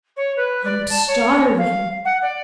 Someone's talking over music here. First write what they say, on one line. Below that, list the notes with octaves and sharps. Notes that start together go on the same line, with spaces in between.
"I'm starving!"
C#5
B4
D5
A5
C#5
F5
F#5
D5